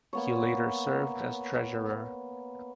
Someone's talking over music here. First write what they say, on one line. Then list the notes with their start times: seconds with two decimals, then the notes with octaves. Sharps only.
He later served as treasurer.
0.13 A#3 B3 C#5